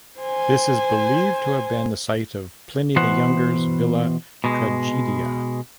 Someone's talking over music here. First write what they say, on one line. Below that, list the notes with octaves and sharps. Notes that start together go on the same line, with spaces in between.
This is believed to have been the site of Pliny the Younger's villa "Tragedia".
C5 G#5
B2 E3 B3 C5 F#5
B2 G#3